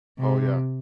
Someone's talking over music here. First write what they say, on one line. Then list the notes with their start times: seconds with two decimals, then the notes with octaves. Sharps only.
Oh, yeah.
0.19 C3